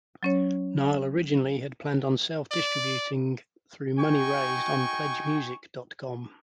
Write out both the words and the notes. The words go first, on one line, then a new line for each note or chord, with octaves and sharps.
Nile originally had planned on self-distributing through money raised on PledgeMusic dot com.
F#3 C#4 C#5
D5
D#4 F#4 G5 G#5 C#6